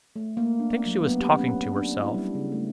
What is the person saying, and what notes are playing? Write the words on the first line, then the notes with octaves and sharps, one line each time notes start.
I think she was talking to herself.
A3
A#3
D4
F#3
B3
G4
C#4
D4
E4
G3
C#3
A3